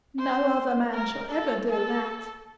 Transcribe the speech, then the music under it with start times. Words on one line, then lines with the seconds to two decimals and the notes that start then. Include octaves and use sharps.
"No other man shall ever do that."
0.19 C5
0.94 A#4
1.32 A4
1.70 A4